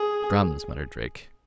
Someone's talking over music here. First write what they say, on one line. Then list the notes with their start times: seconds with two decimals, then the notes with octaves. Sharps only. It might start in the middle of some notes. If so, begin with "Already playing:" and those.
"Drums?" muttered Drake.
Already playing: G#4